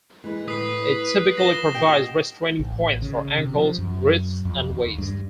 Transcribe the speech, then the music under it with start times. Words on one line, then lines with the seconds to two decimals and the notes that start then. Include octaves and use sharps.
It typically provides restraining points for ankles, wrists, and waist.
0.24 E3 G#3 B4
0.48 A2 B4 D#6 C7
1.37 F3 A#6 E7 G7
1.74 B2 G4 G5
2.59 A1
3.02 C#3
3.38 C3
3.55 F3
3.78 F#2
4.45 F2
4.70 D#2
4.98 G2